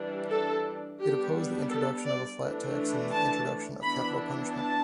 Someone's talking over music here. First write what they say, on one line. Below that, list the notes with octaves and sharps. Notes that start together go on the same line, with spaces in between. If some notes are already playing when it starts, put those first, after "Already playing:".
It opposed the introduction of a flat tax and the introduction of capital punishment.
Already playing: E3 G3 D4
A4
G3 B3 D4 G4
A4
D5
E3 A3 D4
A5
E3 B3 D4 B5
A5